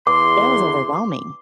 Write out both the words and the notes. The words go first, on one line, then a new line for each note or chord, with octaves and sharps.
that was overwhelming.
E2 C6 D6